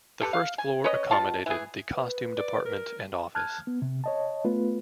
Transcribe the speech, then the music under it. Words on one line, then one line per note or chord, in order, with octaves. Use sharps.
The first floor accommodated the costume department and office.
G4 A4 B4
F5
G#5
C#4 B4 C#5 D#5
B2 F4 A5
E3 G#4
B4
D5
A#4
A5 F6 F#6 G#6
B3
C3
C#5 D#5 A5
A3 B3 F4 B4